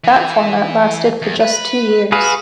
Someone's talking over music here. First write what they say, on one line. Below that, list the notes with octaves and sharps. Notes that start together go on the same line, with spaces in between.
That format lasted for just two years.
E3
E2
B4
F#4 G#4 B4 F5